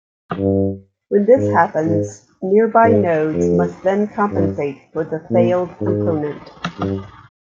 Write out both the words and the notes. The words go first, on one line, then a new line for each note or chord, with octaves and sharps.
When this happens, nearby nodes must then compensate for the failed component.
G2
G#2
G#2
G#2
F2
G2
A#2
G#2
G2